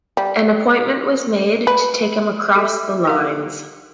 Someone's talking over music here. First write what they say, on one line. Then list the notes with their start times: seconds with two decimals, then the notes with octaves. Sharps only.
An appointment was made to take him across the lines.
0.17 G3
1.67 B4
2.55 G4 A4 E5
3.05 D#4 A#4 F5